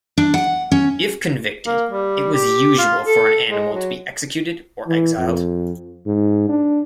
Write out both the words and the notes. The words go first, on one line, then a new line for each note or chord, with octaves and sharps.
If convicted, it was usual for an animal to be executed, or exiled.
D4
F#5
C#4
A#3
G3
G4
F4
A4
G#3
F#3
E3
F2
G#2
D4